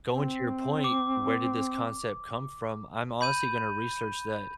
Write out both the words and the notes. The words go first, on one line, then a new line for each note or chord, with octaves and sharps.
going to your point, where did this concept come from? I'm honestly gonna research that,
C4
D6
B5 G6 D#7